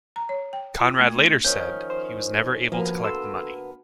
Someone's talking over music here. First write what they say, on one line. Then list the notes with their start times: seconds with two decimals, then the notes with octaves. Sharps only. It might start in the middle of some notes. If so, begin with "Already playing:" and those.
Conrad later said he was never able to collect the money.
0.16 A#5
0.29 C#5
0.53 G5
0.80 F4
0.99 A3
1.16 D4
1.44 D#3 F3 C#4 G6
1.90 C5
2.72 D2 F3 A#3 B3
3.04 A4 C6 E6